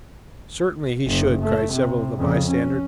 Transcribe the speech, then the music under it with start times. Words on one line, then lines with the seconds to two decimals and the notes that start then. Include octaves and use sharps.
"Certainly he should!" cried several of the bystanders.
1.07 F#1 F#2
1.42 A3
1.73 C3
2.18 F2 C#3
2.48 C#4